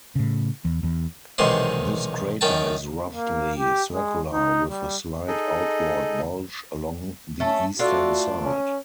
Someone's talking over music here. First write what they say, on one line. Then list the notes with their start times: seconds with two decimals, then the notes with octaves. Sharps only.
This crater is roughly circular with a slight outward bulge along the eastern side.
0.16 A2 C#3
0.65 E2
0.83 E2
1.38 B1 E2 C3 D#3 G#3 C6
2.41 F#2 D#3 G5 A5
3.14 A#3
3.58 G4
3.94 G#3
4.32 D#4
4.70 G3
5.28 D#4 G#4 A4 D#5
7.40 A3 C#4 A4
7.79 A3 D4 F4 F#4
8.43 C#4